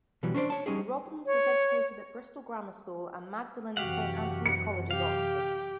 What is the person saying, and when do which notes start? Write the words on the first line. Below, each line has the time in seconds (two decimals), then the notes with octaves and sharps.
Robbins was educated at Bristol Grammar School, and Magdalen and Saint Antony's Colleges, Oxford.
0.23 B2 E3 F#3 G3
0.34 C#4 D4 C5 D5
0.50 C#5 A5
0.66 G3 C#4 D#4 G4 G#4
1.26 C#5
3.77 F#2 C3 E3 F#4 G4 F5 F#5
4.46 F#4 C#7
4.91 G4 F5